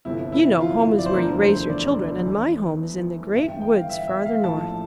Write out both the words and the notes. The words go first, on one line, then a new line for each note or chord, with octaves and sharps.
You know home is where you raise your children, and my home is in the Great Woods farther north.
G1 F2 C3 F3 E4
E4
F4
D5
C5
E1 D2 D3 F3 A#4
C5
D5
E2 E3
G1 G2 E3 E5
G5
G5
F5
E5
E5
F5
A#1 A2 F3 A5